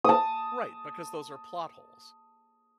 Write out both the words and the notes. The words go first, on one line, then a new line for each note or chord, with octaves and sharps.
Right, because those are plot holes.
A5 D#6